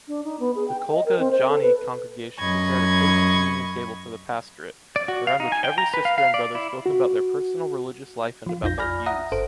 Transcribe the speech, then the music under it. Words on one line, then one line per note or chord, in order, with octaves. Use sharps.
The Kolga-Jaani congregation prepared a cozy communion table for the pastorate, around which every sister and brother spoke about their personal religious life and about their views.
D4
D#4
B3
G#4
G5
G5
D#5
A#4
C4
C5
A4
B4
F#2 D#5 B5 C#6 G#6
D5
F#4
F5
D#4
G#5
G5
A#5
B4
F5
F5
D5
E4
F#4
F3 F4
A#1 F2 D#4 F4 G6 A#6
D5 G#5 B5 F6 A#6
E5 F#5 A#5 D#6 A#6
G1 A4 C5 D7